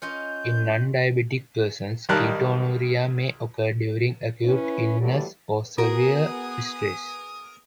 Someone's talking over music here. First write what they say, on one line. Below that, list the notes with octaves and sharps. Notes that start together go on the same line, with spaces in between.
In non-diabetic persons, ketonuria may occur during acute illness or severe stress.
C#4 F4 D#5 G6
B1 D#3 G3 A#4 A5 F#6
C#4 E4 B4
E3 F#3 G3 A3 A#3 G4
B3 F#4 G#4 A#4 D#6